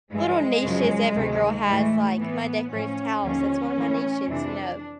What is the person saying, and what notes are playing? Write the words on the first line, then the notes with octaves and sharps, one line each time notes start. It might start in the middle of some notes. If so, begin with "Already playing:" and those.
little niches every girl has, like my decorative towels, that's one of my niches, you know?
G2 E3 G#3
F#2 C#3 F3
D2 C3 D#3
A2 E3 A3
A2 E3 B3
A2 F3 C#4
D#2 D3 F3 C#4
A2 E3
F2 C3 E3 D4